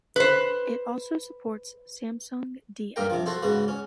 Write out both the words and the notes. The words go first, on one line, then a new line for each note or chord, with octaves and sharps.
It also supports Samsung DeX.
B4 C5
G2 A#3 A#4 G5
C3 F3
F#4 A4 C5
G#2 C#3 B3 F#4
C#4